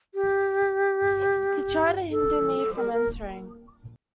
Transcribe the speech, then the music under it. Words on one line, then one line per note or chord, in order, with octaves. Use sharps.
To try to hinder me from entering.
G4
A4
A#4
A#4